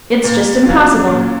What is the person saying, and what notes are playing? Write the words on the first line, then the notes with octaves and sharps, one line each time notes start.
It's just impossible!
A#2
F#3 C#4 F4
A#2